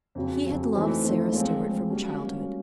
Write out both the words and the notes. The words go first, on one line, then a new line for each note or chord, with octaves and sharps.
He had loved Sara Stuart from childhood.
F2 C#3 F#3
F2 C#3 F#3
E3 A3 C4 D#4
E3 A3 C4 D#4
F3 G#3 C4
F3 G#3 C4
G3 A#3 C#4 F#4
G3 A#3 C#4 F#4